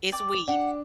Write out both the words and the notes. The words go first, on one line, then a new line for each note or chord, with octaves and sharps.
It's weave.
D5 G5 D6
D4 G4 F#5